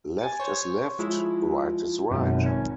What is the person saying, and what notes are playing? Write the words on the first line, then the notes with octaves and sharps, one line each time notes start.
Left is left, right is right.
G#5 A6
C5 C#5
F3 G#3 E4
G#1 F#2 B2
C#4